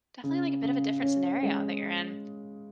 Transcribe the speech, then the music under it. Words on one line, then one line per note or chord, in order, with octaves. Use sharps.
definitely, like, a bit of a different scenario that you're in,
C#3
C#3
C#4
G#3